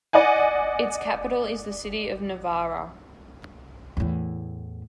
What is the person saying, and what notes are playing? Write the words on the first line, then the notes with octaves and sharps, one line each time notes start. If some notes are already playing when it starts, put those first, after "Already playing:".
Its capital is the city of Novara.
D5 D#5 F#5 G#5
E2 A2